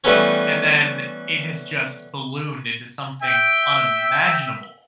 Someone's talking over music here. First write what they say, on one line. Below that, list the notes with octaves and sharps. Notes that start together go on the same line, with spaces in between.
and then, it has just ballooned into something unimaginable,
E3 G3 A3 B3 C#4 C#5
E5 G5